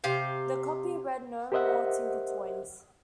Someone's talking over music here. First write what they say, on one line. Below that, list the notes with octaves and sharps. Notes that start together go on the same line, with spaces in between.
The copy read No More Tinker Toys.
C3 F5 G5
G4 A#4 C5 D#5 E5 F#5